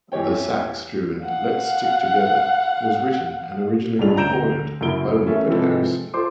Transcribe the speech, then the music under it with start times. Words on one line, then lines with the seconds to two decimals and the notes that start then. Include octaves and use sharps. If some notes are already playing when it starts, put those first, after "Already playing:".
The sax-driven "Let's Stick Together" was written and originally recorded by Wilbert Harrison.
0.12 E2 E3 G4 C#5 G5
1.24 F5 F#5
3.99 B1 G2 C#4 D4 F4 F7
4.17 D2 A#5 G6 D7 E7 F7
4.81 F#2 C#3 A#3 E4 D7 G7
5.26 A3 C#4 A4 A#4 E5
5.47 C3 E3 F3 G#3 C4 A4
6.14 F4 A4 C5 C6 D6